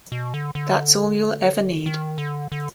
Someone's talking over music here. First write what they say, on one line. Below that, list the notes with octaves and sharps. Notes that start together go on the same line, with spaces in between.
That's all you'll ever need.
B2
D3
D3
D#3
D3
D3